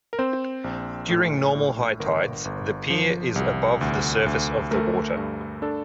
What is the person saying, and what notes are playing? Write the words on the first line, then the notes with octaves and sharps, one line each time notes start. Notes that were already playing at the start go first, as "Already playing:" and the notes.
During normal high tides the pier is above the surface of the water.
A#4
C4 C5
A#1
A2
A2
G1 A#4
G1
F3
C2
D2
D2
A3 A#4
G2
D4 A4